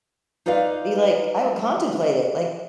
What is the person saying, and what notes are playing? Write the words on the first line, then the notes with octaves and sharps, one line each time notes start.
be like I would contemplate it, like,
D#4 F4 B4 D5 F5